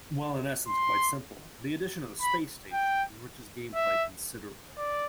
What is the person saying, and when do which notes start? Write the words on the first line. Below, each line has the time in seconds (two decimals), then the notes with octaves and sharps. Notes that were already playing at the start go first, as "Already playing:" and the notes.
While in essence quite simple, the addition of the space station enriches gameplay considerably.
0.68 C6
2.21 B5
2.73 G5
3.75 E5
4.77 D5